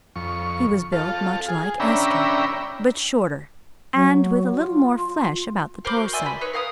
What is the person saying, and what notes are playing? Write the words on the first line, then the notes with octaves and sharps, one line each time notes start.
He was built much like Estra, but shorter, and with a little more flesh about the torso.
F2 C#6
F4 A4
G#4
C#4 D4 E5 G5 A#5 B5
F#3
F4
A#4 C5 B5 D6
F#4
D5 E5 G#5 C6
B5
D#4 B4 C#5
A#4 F5 G#5 D#6